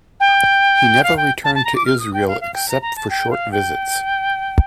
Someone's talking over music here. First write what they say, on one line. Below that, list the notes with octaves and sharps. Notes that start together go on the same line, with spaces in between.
He never returned to Israel except for short visits.
G5
F5
G5
A5
A5
A#5
D6
F6
D#6
G5
F5
F5
G5
A#5
A#5
A5
G5
F5
G5